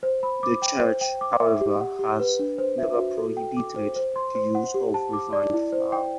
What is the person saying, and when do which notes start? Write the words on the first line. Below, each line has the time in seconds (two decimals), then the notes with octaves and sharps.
The church, however, has never prohibited the use of refined flour.
0.03 C5
0.23 B5
0.43 D6
0.62 G5
0.81 C5
1.01 G5
1.21 D6
1.41 E5
1.61 G4
1.81 F#5
1.99 G4
2.20 B4
2.39 D4
2.58 C5
2.78 E5
2.97 F#4
3.17 A4
3.37 G5
3.57 D6
3.76 C5
3.96 C5
4.16 C6
4.35 C5
4.55 F#5
4.74 G4
4.94 A5
5.13 D6
5.33 D5
5.53 E4
5.72 C5
5.92 G5